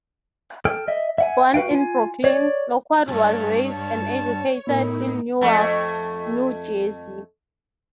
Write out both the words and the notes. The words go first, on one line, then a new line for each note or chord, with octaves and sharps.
Born in Brooklyn, Lockwood was raised and educated in Newark, New Jersey.
A4 G5 F6
D#5 E5
E5 F#5 G#5
F#4 B4 F5 G5
F4 G#5
C#5 D5
B1 G2 C#5 A5
A5
A2 B3 D#4 E4 A#4
F2 A3